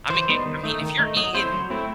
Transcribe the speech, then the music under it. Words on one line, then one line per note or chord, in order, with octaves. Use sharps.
I mean, eh I mean, if you're eating
E3 C5
G3 B3 D#4
D#3
A3 D#4
D#3
A3 D#4
F#3 D#5
A3 C4 E4 C5
F#3
A3 C4 E4